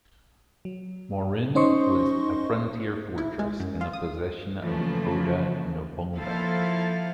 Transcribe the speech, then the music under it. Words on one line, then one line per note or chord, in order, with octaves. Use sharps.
Marune was a frontier fortress in the possession of Oda Nobunaga.
F#3
C#4 D#4 C5 D#5 C6 C#6
E4
G#3
F#2
F4
D#6
C#3 E3 F3 A3 A#3
F3 A#3 E4 A4 C5 F5